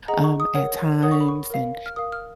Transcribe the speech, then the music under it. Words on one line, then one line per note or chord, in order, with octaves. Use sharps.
um, at times, and
G#4 D#5 F#5 A#5
C#6
D#6
A#4 C#5 F#5
A#4 C#5 F#5 D#6
C#6
B5
C#6
A#4 F5
F6
A#4 F5 D#6
F6